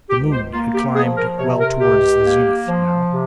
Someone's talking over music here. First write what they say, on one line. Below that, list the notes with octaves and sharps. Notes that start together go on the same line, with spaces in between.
The moon had climbed well toward the zenith, now.
C#2 G4
C5
A#3 F4
G4
F3 G#4
A#4
C3 C#5
A#4
C#2 G4
A#3
F3
C3